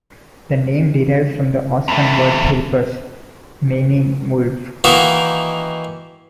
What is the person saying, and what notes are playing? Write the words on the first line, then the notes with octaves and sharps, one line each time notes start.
The name derives from the Oscan word hirpus, meaning wolf.
E2 A3
D#3 E3 A#3 D#4 F#4 A#4